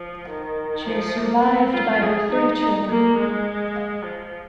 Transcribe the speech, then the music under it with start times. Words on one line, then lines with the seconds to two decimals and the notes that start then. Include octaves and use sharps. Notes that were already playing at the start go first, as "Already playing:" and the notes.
She is survived by her three children.
Already playing: F3
0.29 D#3
0.87 F3
1.16 A#3
1.45 C4
1.73 F4
2.03 G#4
2.31 D#4
2.89 A#3
3.17 G#3
4.04 F3